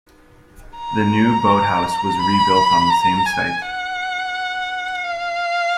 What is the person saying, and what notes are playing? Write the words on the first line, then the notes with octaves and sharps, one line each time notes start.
The new boathouse was rebuilt on the same site.
A#5
B5
A#5
G#5
F#5
F5